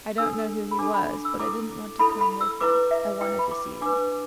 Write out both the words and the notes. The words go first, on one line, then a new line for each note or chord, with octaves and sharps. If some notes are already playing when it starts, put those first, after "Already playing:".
I don't know who he was, but I didn't want to come with him; I wanted to see you alone.
D4 A4 E6
B5
D4 A4 D6
B5
E6
E4 A4 D6
E4 A4 B5
B5
E6
E4 B4 D6
E5
E4 B4 G5
B5
D6
D4 B4 D6